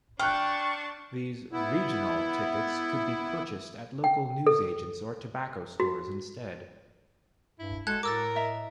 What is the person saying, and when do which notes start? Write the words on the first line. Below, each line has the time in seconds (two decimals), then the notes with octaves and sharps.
These "regional" tickets could be purchased at local newsagents or tobacco stores instead.
0.20 D4 G5 A5 C#6 F6 F#6
1.52 B3 E4
4.04 G5
4.47 A4
5.80 F#4
7.59 G2 E4
7.87 G#3 F#4 A4 A5 F#6 G#6
8.03 A2 A#4 D6 E6 A6
8.35 D#5 E5 A#5